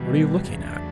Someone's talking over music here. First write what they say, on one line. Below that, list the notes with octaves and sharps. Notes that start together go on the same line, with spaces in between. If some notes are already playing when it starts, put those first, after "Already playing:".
"What are you looking at?"
Already playing: E2 B2 G3
E2 C#3 F#3 A3 D4